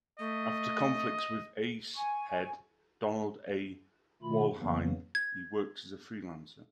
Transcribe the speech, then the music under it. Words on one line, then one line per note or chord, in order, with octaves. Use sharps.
After conflicts with Ace head Donald A. Wollheim, he worked as a freelancer.
A3 D#5
G#5 C#6
B2 D#3 A3 F4 B5
F2 C#3 E3 F#3 A#3 B3
G#6